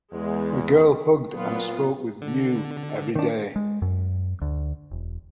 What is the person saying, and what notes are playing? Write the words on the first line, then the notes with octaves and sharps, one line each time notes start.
The girl hugged and spoke with Mew every day.
E2 G#3
A#2 F#3 B3 F4
D3
D#3 D4
G#3
F#2
D2
E1